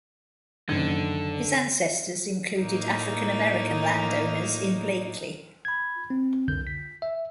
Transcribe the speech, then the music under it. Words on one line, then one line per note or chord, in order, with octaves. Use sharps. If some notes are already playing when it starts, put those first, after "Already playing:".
His ancestors included African-American landowners in Blakely.
F#1 D3 D#3 G#6
A2 A#3 D#4
B5 G#6
C4
C2 F2 D3 G6
B6
E5